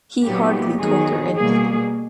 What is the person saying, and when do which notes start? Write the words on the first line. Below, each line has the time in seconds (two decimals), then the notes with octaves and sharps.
He hardly told her anything.
0.25 A#2 F#3 B3 D#4 G4
0.80 D#3 F#3 B3 D#4 G#4
1.36 B2 G3 A#3 G#4